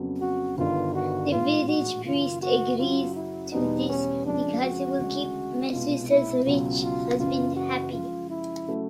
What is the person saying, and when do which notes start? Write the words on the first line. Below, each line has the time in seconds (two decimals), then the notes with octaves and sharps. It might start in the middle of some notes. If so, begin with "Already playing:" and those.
The village priest agrees to this because it will keep Messua's rich husband happy.
Already playing: F2 C#3 F#3 B3
0.22 F#4
0.58 G1 G2 D#3 F4
0.95 F#4
1.31 A#1 A2 E3 G#3 F4
1.68 F#4
2.05 F#1 F#2 D#3 F#3 A#3 F4
2.42 F#4
2.79 F#2 C#3 F#3 F4
3.16 E4
3.52 E2 B2 G3 B3 D#4
3.89 C#4
4.26 F2 C#3 F3 G#3 D4
4.63 F#4
4.99 D2 C#3 E3 G#3
5.72 C2 B2 G#3 B3 D#4 F4
6.09 E4
6.46 C#2 B2 F#3 F4
6.83 F4
7.20 F#1 F#2 C#3 E3 F4
7.56 F#4
7.93 F#2 C#3 F3 G#3 F4
8.30 E4
8.67 C#3 F#3 A3